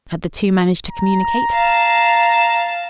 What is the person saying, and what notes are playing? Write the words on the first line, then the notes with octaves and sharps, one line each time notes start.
Had the two managed to communicate?
A#5
F5 A5